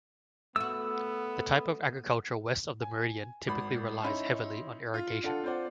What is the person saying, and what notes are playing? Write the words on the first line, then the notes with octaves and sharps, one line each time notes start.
The type of agriculture west of the meridian typically relies heavily on irrigation.
A3 B3 F#4 E6
G#5
G#1 B5
C#4 D#4 E4 B5 C6
F4
D4 F4 A4 F#5 A5
C4 F4 C5 D5 F#5